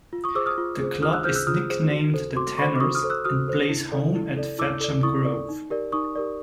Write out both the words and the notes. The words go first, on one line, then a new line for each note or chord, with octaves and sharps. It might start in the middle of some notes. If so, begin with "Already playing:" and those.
The club is nicknamed "The Tanners" and plays home at Fetcham Grove.
F4
C#6 D#6
G#4 C5 D6 E6
D#6 F6
F4
G#4 C5
F4 D#6 F6
E6 F#6
G#4 C5 F6 G6
E6 F#6
F4 D#6 F6
G#4 C5
F#4
A4 C5
F#4 C6 D6
A4 C5 B5 C#6
D6
F#4 C#6 D#6
D#6 F6
A4 C5
E6 F#6
F#4 D#6 F6
A4 C5
E4
A4 D5
E4
A4 D5
E4 D6 E6
A4 D5
E4 C#6 D#6
A4 D5
D#4
G4 A#4 D5
D#4 C#6 D#6
G4 A#4 D5